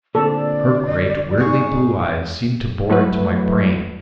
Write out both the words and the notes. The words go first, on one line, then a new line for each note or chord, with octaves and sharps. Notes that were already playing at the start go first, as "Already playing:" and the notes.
Her great, weirdly blue eyes seemed to bore into my brain.
A#2 D3 C4 A4 D5
G#2 C#6
F#3 A3 E4 F#4 B4